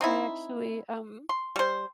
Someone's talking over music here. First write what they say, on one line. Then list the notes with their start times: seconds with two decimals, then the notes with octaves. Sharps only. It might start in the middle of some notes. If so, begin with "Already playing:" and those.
I actually, um,
0.01 C4 D#4 E4
1.29 C6
1.56 G3 C5